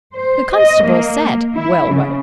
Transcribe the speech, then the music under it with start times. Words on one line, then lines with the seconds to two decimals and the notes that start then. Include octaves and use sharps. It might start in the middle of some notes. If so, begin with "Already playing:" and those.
The constable said 'Well!
0.16 C5
0.55 D#5
0.85 A#3
1.55 E4
1.92 C#3